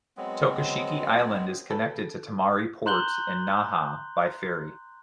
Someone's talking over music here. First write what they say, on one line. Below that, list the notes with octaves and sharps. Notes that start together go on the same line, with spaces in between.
Tokashiki Island is connected to Tomari Port in Naha by ferry.
F#3 G#3 B3 C4
A4 B4
A#5 C6 F#6 G6 F#7 G7